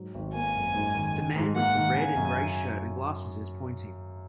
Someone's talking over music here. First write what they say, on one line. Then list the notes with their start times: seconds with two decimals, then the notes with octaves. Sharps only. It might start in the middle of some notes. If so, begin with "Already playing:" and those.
The man with the red and gray shirt and glasses is pointing.
Already playing: G#2 F#3
0.15 G#1
0.34 A#3 G#5
0.55 F#2
0.74 G#2
0.95 D#3
1.15 D#3
1.36 G#2
1.55 A#3 F#5
1.75 D#3
1.97 C#3 G#5
2.16 F#2